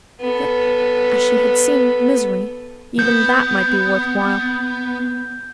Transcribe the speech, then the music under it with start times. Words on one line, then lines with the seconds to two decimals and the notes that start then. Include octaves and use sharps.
Yet, as she had seen misery, even that might be worth while.
0.20 B3 A4
2.99 B3 G6